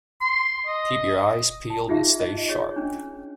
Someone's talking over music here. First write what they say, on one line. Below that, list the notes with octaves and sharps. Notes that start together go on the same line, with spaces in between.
Keep your eyes peeled and stay sharp.
C6
D#5
A5
D#4 F4 G4 G#4 E5 F5
D#5
G#4 C#5 C#6
C#4 D4